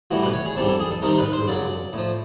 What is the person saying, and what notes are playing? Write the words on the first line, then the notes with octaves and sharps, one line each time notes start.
That's cool, man. That's really cool.
A2 E3 G3 F#4
B4
C#5
G#4
C3 E3 G3 A4
A4
G#4
A4
C3 D#3 G3 A#4
B4
C5
C#3 F#3 D5
A2 F3